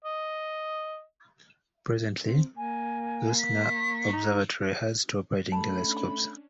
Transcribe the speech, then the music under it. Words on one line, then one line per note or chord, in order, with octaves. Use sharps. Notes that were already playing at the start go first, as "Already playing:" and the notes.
Presently, Leuschner Observatory has two operating telescopes.
D#5
C4
A#3 G#5
B6
D#4
A3 C#4 D4 A5 B5